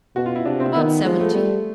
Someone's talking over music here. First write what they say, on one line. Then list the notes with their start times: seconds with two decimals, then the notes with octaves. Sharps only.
"About seventy."
0.16 B2 F#4
0.26 F4
0.36 E4
0.46 C3 D4
0.60 C4
0.75 D#3 B3
1.05 F3 G#3
1.19 A3
1.34 G3 A3